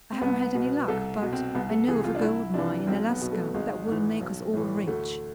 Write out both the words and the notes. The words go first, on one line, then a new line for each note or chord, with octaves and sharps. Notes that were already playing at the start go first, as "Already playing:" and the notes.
I haven't had any luck, but I know of a gold mine in Alaska that will make us all rich.
C4
C2 B3
B2
C2 A4
B2
C4
C2 B3
A4
C3 E3 G#4
F4
D4
C2 E4
C3 E3 D4
B1 C4
B3
B2
A3
G#1 G#3
G#2 E3
B1
A2 E3
D2 A3